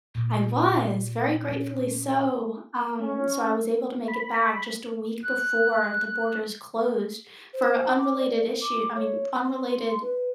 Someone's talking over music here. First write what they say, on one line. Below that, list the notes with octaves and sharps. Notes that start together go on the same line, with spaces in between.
I was, very gratefully so. Um, so I was able to make it back just a week before the borders closed for unrelated issue I mean, unrelated
A#2
C#4
C#4
B5
F#6
C5
D6
D5
A#4
D6
C#5
C6
B4